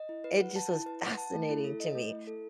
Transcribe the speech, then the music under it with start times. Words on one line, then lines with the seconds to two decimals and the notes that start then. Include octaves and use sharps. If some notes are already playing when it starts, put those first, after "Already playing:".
it just was fascinating to me.
Already playing: D#5
0.09 E4
0.24 B4
0.40 F#5
0.56 A5
0.71 E4
0.86 B4
1.02 F#5
1.18 A5
1.34 A3
1.49 E4
1.64 A4
1.80 D#5
1.95 A3
2.11 E4
2.27 A4